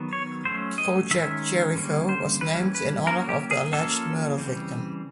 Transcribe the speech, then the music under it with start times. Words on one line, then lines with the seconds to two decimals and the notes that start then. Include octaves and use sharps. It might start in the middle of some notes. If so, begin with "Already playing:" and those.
Project Jericho was named in honour of the alleged murder victim.
Already playing: D#3 F#3 B3
0.13 C#5
0.45 F#3 A3 C#4 C5
0.78 D#5
1.11 D#3 G#3 C#4 E5
1.76 D3 G3 A#3 C#4
2.09 C5
2.41 E3 G3 A#3 C#4 B4
2.75 B4
3.07 F#3 A#3 C#4 A#4
3.29 G4
3.51 G#4
3.73 F3 A#3 C#4 A4
4.38 C#3 E3 G3 C4